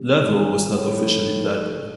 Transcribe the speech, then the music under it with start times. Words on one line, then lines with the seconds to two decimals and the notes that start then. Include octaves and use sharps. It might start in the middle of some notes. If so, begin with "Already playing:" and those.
Level was not officially platted.
Already playing: D#3 G3 C4 G4
0.19 A2
0.30 A#2 D#3 G3 C4 G4
0.66 A2
1.01 F3 A3 D#4 A4